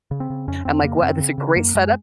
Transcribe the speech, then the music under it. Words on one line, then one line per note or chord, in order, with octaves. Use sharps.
I'm like, "What this is a great setup."
C#3
C4
C#3
F2 C#4
F2 C4
C#3 A#3
F#2 C4
C#3
C#3
F#2 A#3
F#2 G#3